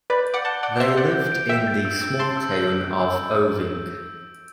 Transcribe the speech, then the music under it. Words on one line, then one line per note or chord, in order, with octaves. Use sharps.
They lived in the small town of Oving.
B4 D5 G6
G6
D5 F#5
F#5 A5 G7
D5 F#5 D7
C5 E5 G6
D5 F#5 G6
G6
D7
E5 G5 E7
A6
E6
E6
A5 C6 E6
E6